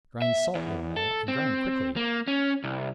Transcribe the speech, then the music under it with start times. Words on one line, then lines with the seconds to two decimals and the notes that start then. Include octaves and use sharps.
"Grind salt, Little Mill, and grind quickly!"
0.22 E5
0.55 E2
0.96 A4
1.28 C4
1.96 A#3
2.28 C#4
2.64 C2